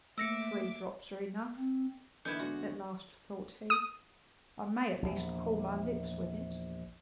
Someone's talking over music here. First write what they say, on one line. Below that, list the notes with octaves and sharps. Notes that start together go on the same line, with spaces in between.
"Three drops are enough," at last thought he; "I may, at least, cool my lips with it."
A3 A#3 E5 D6 E6 A#6 C#7
C4
D3 E3 A#3 B3 D#4 E4 G6 G#6
G#3 B3 D4 F#4
D#6
A#1 E2